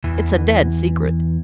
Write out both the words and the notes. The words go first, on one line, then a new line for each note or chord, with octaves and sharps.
It's a dead secret.
E2 E3